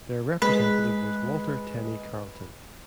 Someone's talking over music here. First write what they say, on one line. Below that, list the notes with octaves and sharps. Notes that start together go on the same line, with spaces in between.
Their representative was Walter Tenney Carleton.
G#3 B4